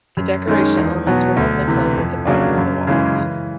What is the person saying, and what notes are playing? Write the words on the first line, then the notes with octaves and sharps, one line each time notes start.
The decoration elements were multicoloured at the bottom of the walls.
F#2
D#3 G#3 C#4
E2
B2 F#3 B3
D2
C3 E3
F2
C#3 F#3 A#3 D4
F#2
C#3 E3 G#3
E3